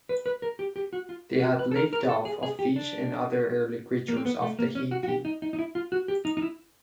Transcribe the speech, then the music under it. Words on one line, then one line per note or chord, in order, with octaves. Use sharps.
They had lived off of fish and other early creatures of Tahiti.
B4
B4
A#4
G4
G4
F#4
F4
F#4
B4
A4
A#4
A#4
A4
G#4
G#4
G4
D4
A#3
C4
B3
A3
A#3
C#4
F#4
F#4
G4
D#4
D#4
D#4
E4
F4
F#4
G4
D#4
D#4
E4